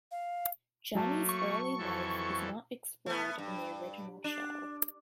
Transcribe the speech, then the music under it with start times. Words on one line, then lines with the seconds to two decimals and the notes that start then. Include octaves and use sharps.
Johnny's early life is not explored in the original show.
0.11 F5
0.95 F#3 A3 A#3 A5
1.29 C#6
1.78 F2 E3 A4
3.06 A3 B3
3.38 G2
4.24 D4